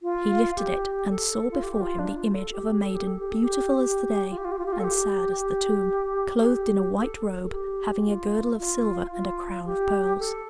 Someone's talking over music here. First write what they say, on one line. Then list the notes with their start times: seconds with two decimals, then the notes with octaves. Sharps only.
He lifted it, and saw before him the image of a maiden beautiful as the day and sad as the tomb, clothed in a white robe, having a girdle of silver and a crown of pearls.
0.03 F4
0.56 G4
1.10 A4
1.51 F4
1.63 G4
1.73 G4
1.81 F4
1.99 D4
2.17 F4
2.34 A4
2.52 G4
2.70 G4
2.83 A4
2.95 G4
3.07 A4
3.19 G4
3.31 A4
3.44 G4
3.77 G4
4.31 F4
4.38 G4
4.45 F4
4.52 G4
4.59 F4
4.66 G4
4.73 F4
4.79 A4
4.84 G4
5.38 G4
6.39 A4
6.45 G4
6.98 A4
7.45 A4
7.52 G4
8.05 F4
8.58 F4
9.12 F4
9.66 G4
10.19 A4